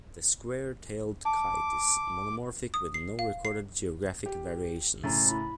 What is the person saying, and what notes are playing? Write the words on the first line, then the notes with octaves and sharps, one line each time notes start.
The square-tailed kite is monomorphic with no recorded geographic variations.
A5 D6
D#6
C7
F5
C7
G4
A2 C#3 A#5 A6
E4 B5